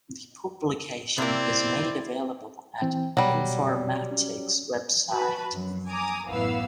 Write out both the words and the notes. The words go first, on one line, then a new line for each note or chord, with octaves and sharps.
The publication is made available at Informatics Website.
C3 A#3 C4 E4 D5
E3 C4 G5
B2 F#3 G3
C#4
F#4 B4 A5 B5
F#2
G#5 A#5 D6 D#6
A1 F#2 E3 B3 F5 E6